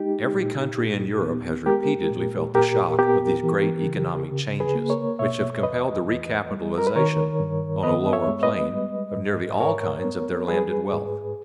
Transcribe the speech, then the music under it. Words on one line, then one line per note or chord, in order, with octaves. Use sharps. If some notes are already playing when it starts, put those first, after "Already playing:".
Every country in Europe has repeatedly felt the shock of these great economic changes which have compelled the recapitalization on a lower plane, of nearly all kinds of their landed wealth.
Already playing: G#3 D#4 G4
A#2
A#2
B3
G#3 G4 A#4
A#2
A#2 G4 A#4
B3 G4 A#4
E3
C#3
C#3
G#4 B4
A#3
A#4 C#5
B2 C#5 E5
E2 B4 D#5
E2
G3
A#4
B4
D#3 A#4 C#5
G2
B3 B4 D#5
C#5 E5
G#3
B4 D#5
G3
G#2
G#2 A#4 C#5
B3
G3 G#4 B4
G#2